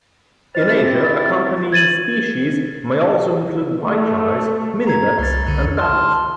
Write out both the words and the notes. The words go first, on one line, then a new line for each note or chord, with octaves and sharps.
In Asia, accompanying species may also include white-eyes, minivets and babblers.
C4 E4 G4 C5 D#5 F6 A6
G#6 A6 D#7 F#7
A3
A#5 G#6
C2 A6
C2 F2 D3
A5 C6 F6